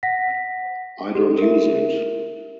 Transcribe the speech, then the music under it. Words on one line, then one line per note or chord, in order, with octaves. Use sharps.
I don't use it.
F#5 A#6 B6
G4 A4
A#4 E5